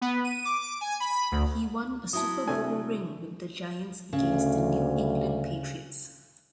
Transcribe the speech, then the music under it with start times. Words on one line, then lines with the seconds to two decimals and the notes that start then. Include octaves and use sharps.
He won a Super Bowl ring with the Giants against the New England Patriots.
0.01 B3
0.24 D#7
0.45 D6
0.81 G#5
1.00 B5
1.32 D2
2.13 F#3 E4 A5 D#6
2.48 C3 A3 C4 D4 G#5
4.13 D2 C#3